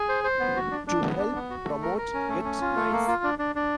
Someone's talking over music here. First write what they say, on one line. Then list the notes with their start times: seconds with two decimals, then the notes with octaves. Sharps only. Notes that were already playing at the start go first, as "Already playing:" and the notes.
To help promote Get Nice!
Already playing: G#4
0.09 C5
0.24 C5
0.40 B3
0.56 F#4
0.71 D4
0.87 D4
1.04 B3
1.19 D4
1.35 B3
1.50 F#4
1.66 A3
1.82 A#4
1.98 A#4
2.13 C#4
2.29 A3
2.44 C#4
2.61 F4
2.76 A3
2.92 A#3
3.08 F4
3.24 D4
3.39 D4
3.56 D4